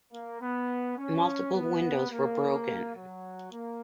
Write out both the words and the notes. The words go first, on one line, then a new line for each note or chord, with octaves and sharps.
Multiple windows were broken.
A#3
B3
C#4
B3
A#3
F#3
A#3